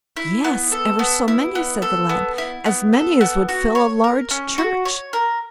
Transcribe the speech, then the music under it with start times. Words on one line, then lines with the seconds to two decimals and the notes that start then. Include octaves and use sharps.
'Yes, ever so many', said the lad, 'as many as would fill a large church.'
0.17 E4
0.44 B3
0.72 A4
0.99 B3
1.28 E4
1.55 B3
1.82 A4
2.09 B3
2.38 E4
2.66 B3
2.93 A4
3.21 B3
3.49 F#4
3.75 C#5
4.04 A#4
4.31 C#4
4.58 F#4
4.85 C#5
5.13 A#4